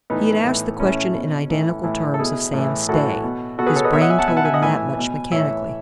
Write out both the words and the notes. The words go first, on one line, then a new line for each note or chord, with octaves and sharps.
He had asked the question in identical terms of Sam Stay--his brain told him that much, mechanically.
A2 E3 B3 D#4
A2 E3
A2 E3 C#4 E4
B2
A2 E3
A2 E3
A4
B2 E4 G#4
A2 E3
A2 E3 F#4 A4
B2
B2 F#4 A4
G#4 B4
A4 C#5
B4 D#5
B2 C#5 E5
D#5 F#5
E5 G#5
F#5 A5
B2 E5 G#5
F#5 A5
E5 G#5
D#5 F#5
A2 E3 E5 G#5
B2
A2 E3 C#5 E5